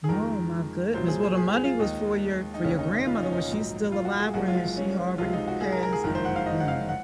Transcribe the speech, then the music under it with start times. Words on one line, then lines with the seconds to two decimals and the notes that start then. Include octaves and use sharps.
Oh my goodness. Well, the money was for your for your grandmother. Was she still alive or has she already passed then?
0.04 G#4
0.09 F2 D#3 G#3 A#4
0.94 C2 A#2 F#3 C5
1.08 G#4
1.23 G#4
1.37 G#4
1.51 G#4
1.64 F4
1.79 D#2 D#3 G#3 D#4
2.54 D#4
2.64 F1 D#2 C#3 C#4
2.79 D#4
3.06 F4
3.15 D#4
3.23 C#4
3.32 D#4
3.48 A#1 G#2 F#3
3.92 F4
4.05 F#4
4.19 G#4
4.34 F#1 F#2 F3 G#3 F#4
4.48 F4
4.77 C#4
5.18 C#2 C3 F3 G#3 F4
5.33 D#4
5.48 F#4
5.61 G#4
5.72 A#4
5.83 A#4
5.93 G#4
6.04 F#1 F2 D#3 G#3 A#4
6.15 C5
6.25 F#5
6.36 F5
6.46 D#5
6.60 F#5
6.68 F5
6.89 F#5